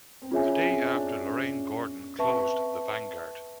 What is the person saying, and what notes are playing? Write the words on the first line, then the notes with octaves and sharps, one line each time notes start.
The day after, Lorraine Gordon closed the Vanguard.
C4
C#4 F4 G#4 C#5 E5 G#5
C4
D4
C#4
C4 B4 E5 A5 C#6